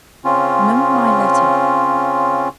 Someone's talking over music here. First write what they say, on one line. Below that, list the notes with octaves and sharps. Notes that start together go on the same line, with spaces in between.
Remember my letter.
C#3 C4 C#4 F4